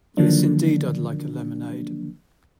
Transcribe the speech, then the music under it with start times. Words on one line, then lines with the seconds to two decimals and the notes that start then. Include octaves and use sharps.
Yes indeed, I'd like a lemonade.
0.17 D3 D#3 F3 F#3 A#3 D4